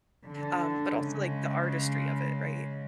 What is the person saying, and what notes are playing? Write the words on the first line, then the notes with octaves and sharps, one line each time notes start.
Um, but also, like, the artistry of it, right?
D3
C#3 G#3